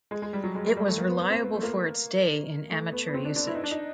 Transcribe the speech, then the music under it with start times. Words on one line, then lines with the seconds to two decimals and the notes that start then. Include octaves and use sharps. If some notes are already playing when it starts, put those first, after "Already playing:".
It was reliable for its day in amateur usage.
0.11 G#3
0.22 G#3
0.33 G3
0.44 F#3
0.55 G#3
0.66 G#3
0.76 G3
0.88 A3
0.98 A#3
1.09 B3
1.19 B3
1.30 C4
1.42 B3
1.55 A3
1.63 A#3
2.70 A3
2.92 B3
3.08 B3
3.14 C4
3.25 D4
3.36 D4
3.47 E4
3.55 D#4
3.64 D4
3.71 D#4